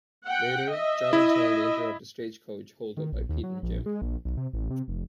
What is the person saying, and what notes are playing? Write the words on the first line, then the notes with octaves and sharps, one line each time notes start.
Later, John and Charlie interrupt a stagecoach holdup by Pete and Jim.
F#5 G5
D#5 E5
E4
D#3
A#1
D#2
F#3
A#1
G#3
A#1
B1
C3
A1
C3
F1